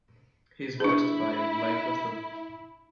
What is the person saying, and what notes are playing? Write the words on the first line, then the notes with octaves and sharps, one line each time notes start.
He is voiced by Mike Weston.
D4 E4 G#4